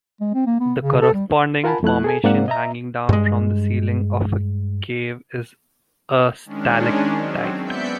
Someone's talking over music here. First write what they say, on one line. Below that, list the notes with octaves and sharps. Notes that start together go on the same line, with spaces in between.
The corresponding formation hanging down from the ceiling of a cave is a stalactite.
G#3
C4
A#3
B3
C#3
A4
G3
F4 A#4 F#5 G#5 A5 B5
F2 A3 E4 F#6
G#4 A4 G#5
G#2 A#3 C4 D5 F5 F#5
D#5 E5 A#5
G2 G#3
D#3 G#3 C#4 D4
F#3 C4
B3 D5 E5 G6 B6 C#7